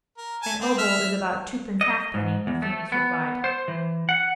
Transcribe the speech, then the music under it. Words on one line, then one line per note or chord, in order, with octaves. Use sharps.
'An obol is about twopence halfpenny,' the Phoenix replied.
A#4
G#5 A5
C4
E5 F6
D#5
G#2
E2
A3
B3
C5
E3
F#5